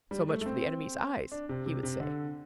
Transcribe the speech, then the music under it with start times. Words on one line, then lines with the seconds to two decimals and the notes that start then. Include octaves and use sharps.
So much for the enemy's eyes, he would say.
0.11 G3
0.24 G3
0.29 A3
0.41 A3
0.46 C4
1.32 D4
1.49 C3
1.66 C3
1.83 C3
2.00 D3